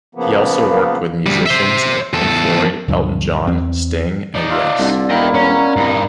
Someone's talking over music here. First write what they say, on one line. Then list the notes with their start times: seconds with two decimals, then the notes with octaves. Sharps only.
He also worked with musicians like Pink Floyd, Elton John, Sting, and Yes.
0.15 C#3 F3 A#3 B3
1.27 D2 G3
1.46 C5 E5
2.13 E2 A4
2.88 D2 G2 A#2 F#3
3.47 E2 C4
4.36 D#4 D5
4.50 F4 E5
4.79 C2 D3
5.10 E1 A#3 E4 D#5 G5
5.34 F#3 G3 C#4
5.76 C2 G2 D#4